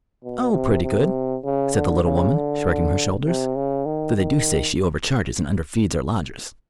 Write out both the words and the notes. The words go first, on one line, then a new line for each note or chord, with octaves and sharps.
"Oh, pretty good," said the little woman, shrugging her shoulders, "though they do say she overcharges and underfeeds her lodgers."
B2
C3
C3
C#3
D3
C#3
D3
C3
C#3
D#3
D#3